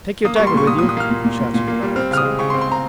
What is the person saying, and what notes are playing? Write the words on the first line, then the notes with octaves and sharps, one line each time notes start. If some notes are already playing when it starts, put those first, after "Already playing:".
Take your dagger with you!' shouted another Cossack.
A#3 D#6
C#6
G3
C6
A#2 C#6
A#2 D#6
D#6
A#2
D#6
A#3 F6
A#2
A#2
A#2
A#2
A#3
G3
C4 F6
C#3 F6
D#6
G#3
C#3 C#6
C6
C4
C6
C4 A#5